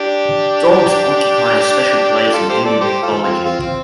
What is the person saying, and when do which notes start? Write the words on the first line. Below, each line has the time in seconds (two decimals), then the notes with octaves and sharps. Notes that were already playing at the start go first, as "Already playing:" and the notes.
Dogs occupy a special place in Hindu mythology.
Already playing: D4 G4
2.33 F4 A4
2.49 G4 C5
2.65 A4 D5
2.81 G4 C5
3.02 F4 A4
3.23 C4 F4
3.44 C4 F4
3.60 C4